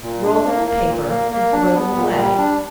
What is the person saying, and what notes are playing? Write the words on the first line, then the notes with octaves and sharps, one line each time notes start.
Roll them in paper and throw them away.
A#2
D4
A#3
A#3
A#2
A#3
A#3
D4
B3
A#2
G3
D4